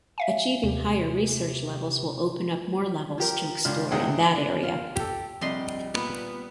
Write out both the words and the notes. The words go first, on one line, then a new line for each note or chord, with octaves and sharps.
Achieving higher research levels will open up more levels to explore in that area.
E5 F5 G#5
D#2 C3
F3 G4 A#4
C#2 D4 F4 F6
E2 G#2 D#4 G#4 F#5 G5
D4
F4
G4 A4
A#1 C3 G3 D#5 C6
A#2 B3 B5